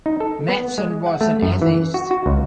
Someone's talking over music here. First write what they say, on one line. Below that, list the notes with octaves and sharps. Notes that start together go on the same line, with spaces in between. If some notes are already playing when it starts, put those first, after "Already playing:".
Matson was an atheist.
D#4
A4
B3
G#3
F#5
A3
F#2
E3
F#4
F#4
C#2